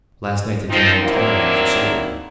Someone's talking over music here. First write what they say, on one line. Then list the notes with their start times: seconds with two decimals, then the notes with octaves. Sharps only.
Last night the General told me that for certain.
0.69 F3 C4 D#4
1.04 D#3 F#3 A#3 C4 D4 E4